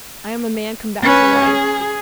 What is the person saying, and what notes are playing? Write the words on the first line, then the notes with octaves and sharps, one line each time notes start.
I am a man come back to life.
C#4 B4
G#4